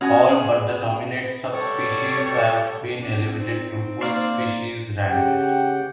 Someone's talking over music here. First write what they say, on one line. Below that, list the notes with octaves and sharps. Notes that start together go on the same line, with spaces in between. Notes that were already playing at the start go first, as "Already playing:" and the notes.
All but the nominate subspecies have been elevated to full species rank.
B3 C#4 F#4 G#5
G#4
G3 A3 C#5 G5
C4 D4
C4 D#4
A#3 C5 D5 F5
C#3 G4 F#5 G5